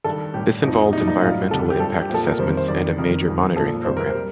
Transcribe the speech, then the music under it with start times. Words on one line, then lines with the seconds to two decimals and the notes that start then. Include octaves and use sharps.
This involved environmental impact assessments and a major monitoring programme.
0.04 G2 D#3 G3 A4
0.34 A2 G3 G4
0.63 F2 C3 F3 D#4
0.93 A#2 G3 D#4
1.01 D4
1.08 D#4
1.22 A2 G3 F4
1.51 F2 D3 G3 A4
1.70 G4
1.80 G2 F3 A4
2.02 G4
2.10 A#2 F3 A4
2.27 A#4
2.39 F2 D#3 G3 C5
2.57 C5
2.68 F2 D#3 G3 D5
2.98 F2 D#3 G3 A#4
3.27 F2 D#3 G3
3.56 A#2 F3 A4
3.85 F2 C3 G3 C5
3.97 A#4
4.09 C5
4.15 G3